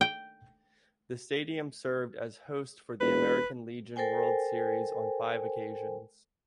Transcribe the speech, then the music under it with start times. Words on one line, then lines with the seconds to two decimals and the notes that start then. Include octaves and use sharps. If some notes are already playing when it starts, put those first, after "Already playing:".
The stadium served as host for the American Legion World Series on five occasions.
0.01 G5
3.00 E1 B4
3.96 A4 A#4 C5 G5 G#5